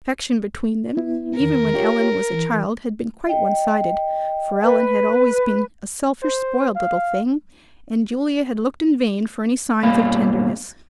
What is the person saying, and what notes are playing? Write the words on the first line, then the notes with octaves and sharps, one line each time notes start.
Affection between them even when Ellen was a child had been quite one-sided; for Ellen had always been a selfish, spoiled little thing, and Julia had looked in vain for any signs of tenderness.
B3 E4
E2 D#3 A#4
F4 G4 C#5
E3
D#5 G5
B4
C5
F5
G2 B2 A#3 F5 B5